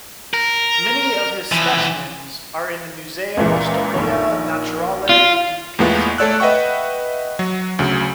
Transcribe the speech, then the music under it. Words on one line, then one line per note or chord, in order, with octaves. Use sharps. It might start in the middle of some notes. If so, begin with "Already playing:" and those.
Many of his specimens are in the Museo storia naturale di Pisa.
A#4
E3 F3
C#2 A#2 E3
A#1 D#3 C#5
F4
E2 A2 G#3 A#3 B3 F4
A3 A4 C#5 D5 E6 F#6
B4 D#5 E5 F#5 G5 C#6
F#3 F#4
D2 C#3 F#3